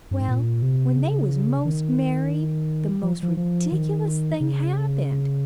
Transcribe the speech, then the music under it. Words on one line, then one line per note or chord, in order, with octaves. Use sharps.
Well, when they was most married the most ridiculous thing happened.
G2
G#2
A#2
C3
C#3
D#3
F3
F3
F3
D#3
C#3